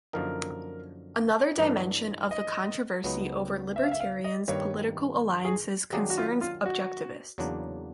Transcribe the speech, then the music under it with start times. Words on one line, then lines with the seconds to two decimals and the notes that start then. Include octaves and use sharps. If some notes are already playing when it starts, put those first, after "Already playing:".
Another dimension of the controversy over libertarians' political alliances concerns Objectivists.
0.13 F#2 D3 F3 A#3 D#4 A#4
1.58 G2 E3 A3 D4
2.31 D#5
3.04 C#2 C#3 F#3 B3 D#4
3.76 E5
3.83 F5
3.91 E5
4.00 F5
4.24 D#5
4.48 G2 D#3 G3 A#3 C#5
5.45 G#4
5.92 D#3 F#3 A#3 D4 G4 G#4
6.10 F#4
6.18 F4
6.41 F4
6.66 F#4
7.38 E2 C#3 F#3 A#3 D4